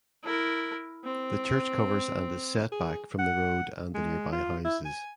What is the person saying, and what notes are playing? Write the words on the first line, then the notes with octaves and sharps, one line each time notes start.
The church covers and is set back from the road and the nearby houses.
E4 A#4
C4
G#4
F#5
G#3
F4
E4
G#5